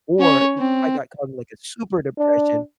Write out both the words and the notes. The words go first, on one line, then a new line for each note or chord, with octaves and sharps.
or, you know, if I got caught in, like, a super depression,
C#4 C#5
C4
D4